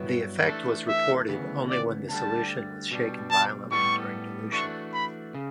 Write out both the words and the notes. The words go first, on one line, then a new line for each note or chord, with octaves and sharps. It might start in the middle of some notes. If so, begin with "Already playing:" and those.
The effect was reported only when the solution was shaken violently during dilution.
Already playing: G2 F#3 B3 E4 B4
E3 A3 D4 A4
E5
D2 C#3 E3 B3
D5
D2 D3 G3 A5
B2 G3 D4
A5
A2 G3 B3 E4 A4 C#6
E3 A3 D4 F#4 C#6
B5
C#3